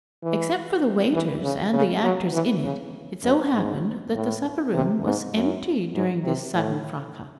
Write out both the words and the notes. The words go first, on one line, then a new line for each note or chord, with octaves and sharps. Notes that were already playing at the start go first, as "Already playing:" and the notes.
Except for the waiters, and the actors in it, it so happened that the supper-room was empty during this sudden fracas.
E3
E3
C#3
C#3
F#3
E3
C#3
F#2
G#2
A2
C3
G#2
F#2
G#2
C3
A2